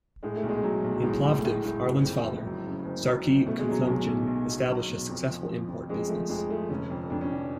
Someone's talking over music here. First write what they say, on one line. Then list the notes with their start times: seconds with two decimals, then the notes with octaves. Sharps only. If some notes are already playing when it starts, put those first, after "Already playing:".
In Plovdiv, Arlen's father, Sarkis Kouyoumdjian, established a successful import business.
0.23 A2 G#3
0.36 A3
0.43 B1
0.49 G#3
0.63 F#3
0.84 B1
0.95 F#3
1.03 A2 G#3
1.24 A2
1.38 A3
1.44 A2 G#3
1.65 A2
1.85 F#1
2.05 F2
2.25 F#1
2.45 F#3
2.66 C#3
2.85 F#1
3.06 F#3
3.27 C#3
3.46 B2 A3
3.59 G#3
3.67 B2 F#3
3.83 B1 G#3
4.08 B1
4.27 B1
4.48 B2
4.68 F#3
4.88 B2
5.09 F2
5.28 F3
5.49 F3
5.68 F2
5.89 F2 G#3
6.09 F3 A3
6.29 F2 G#3
6.50 F3 A3
6.70 F1 C#4
6.90 F2
7.10 F2 D4
7.21 C#4
7.31 F1 D4